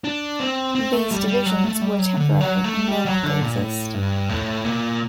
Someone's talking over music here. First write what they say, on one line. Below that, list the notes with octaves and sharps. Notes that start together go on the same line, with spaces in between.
These divisions were temporary and no longer exist.
D4
C4
C4
A3
G3
G3
F#3
A3
G3
F#3
D3
F#3
A3
G3
F#3
D3
A#2
A2
G2
A2
A#2